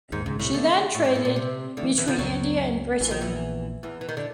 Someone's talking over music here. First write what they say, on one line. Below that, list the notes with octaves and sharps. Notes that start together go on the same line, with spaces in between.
She then traded between India and Britain.
D#2 G#2 D#3
C#2 G#2 C#3
C2 A2 C3
D2 D3
A2
G#2
A2
A#2
C3
D2 D3
E3
E2 D#3 E3
F2 D3 F3
C#2 F#2 C#3 F#3
A#1 A#2 E3
D#3
E2 E3
E2 E3
E3
D#3
D3